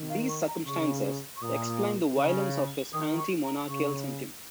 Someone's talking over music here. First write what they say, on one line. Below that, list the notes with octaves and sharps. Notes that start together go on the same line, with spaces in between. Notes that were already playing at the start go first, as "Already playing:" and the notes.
These circumstances explain the violence of his anti-monarchical sentiment.
Already playing: D#3
F5
C#6
A#5
C#3 C#6
C#6
A#2 D#6
C#3
D#3 D#6
C#6
A#5
C#3 C#6